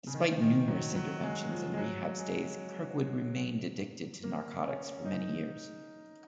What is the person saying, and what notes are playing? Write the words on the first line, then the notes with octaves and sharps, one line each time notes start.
Despite numerous interventions and rehab stays, Kirkwood remained addicted to narcotics for many years.
C#3
D#3
D#3
F#3
F#3
G#3
F3
G#3
F#3
G#3
A#3
C#4
D#4